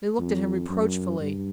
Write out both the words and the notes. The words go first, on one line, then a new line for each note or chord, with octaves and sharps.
They looked at him reproachfully.
F2
F#2
G2